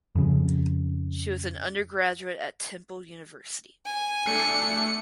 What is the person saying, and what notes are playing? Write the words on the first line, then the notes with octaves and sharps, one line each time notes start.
She was an undergraduate at Temple University.
F2 C#3
G#5
A3 D4 C#7